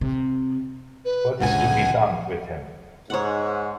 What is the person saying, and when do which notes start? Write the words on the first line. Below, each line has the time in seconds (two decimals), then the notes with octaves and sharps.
What is to be done with him?
0.01 C3
1.05 B4
1.40 G1 C#2 F#5 G#5
3.10 G#2 C#5 F#5